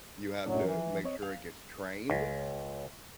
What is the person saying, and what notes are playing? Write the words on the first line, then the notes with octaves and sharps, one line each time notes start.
you have to make sure it gets trained,
C2 F#2 A2 F#3 D4
E3 F3
C4 C#5 D#5
F5
C#2